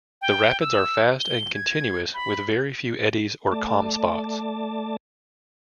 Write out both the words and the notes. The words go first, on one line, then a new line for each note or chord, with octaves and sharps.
The rapids are fast and continuous, with very few eddies or calm spots.
G5
E6
G7
G#6
B5
A3 D5 A5